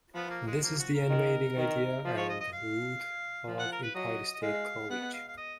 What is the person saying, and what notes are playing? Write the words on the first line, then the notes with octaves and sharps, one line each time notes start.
This is the animating idea and the root of Empire State College.
F3 B3
A#3
G#3
F3 A#3
F#4
A#4
D#3
D#3
F3
C#5
D#5
D#5
F5
F3
F#5
A#4
B4
F#3 D#5
D#5
G#3 F5
B3 F#5
F5
F5
D#5